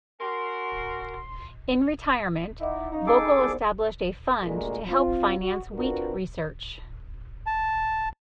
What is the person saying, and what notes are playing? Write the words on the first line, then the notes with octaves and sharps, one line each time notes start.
In retirement, Vogel established a fund to help finance wheat research.
C#4 F#4 A#4 C6
D#4 E4 E5 F#5 D6
C#4 D#4 F5 A#5
G#4 A4 D6
G5 B5 E6
C2 G#2 B3 C5 D5
D2 A#2 G#3 A#4
C4 F4
F#4
C4 D4 F4 F#4 A#4 B4
A5